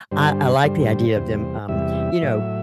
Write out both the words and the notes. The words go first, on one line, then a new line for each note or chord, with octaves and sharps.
I I like the idea of them, um, you know,
G2 D3 G3 C5
G2 D3 G3 C5
E2 C3 G3
E2 C3 G3 E5
A2 F#3